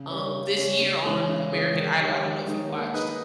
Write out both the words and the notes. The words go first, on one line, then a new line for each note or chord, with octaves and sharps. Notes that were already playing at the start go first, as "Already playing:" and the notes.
um, this year on American Idol. I don't know if you watched.
Already playing: C#3
G3 C#4
C#3
G3 C#4
C#3
E3 G#3 C#4 G#4
C#3
E3 G#3 C#4 G#4
D#3
G#3 D#4 G4 C#5
D#3
G#3 D#4 G4 C#5
A#3
D#4 G#4 B4 D#5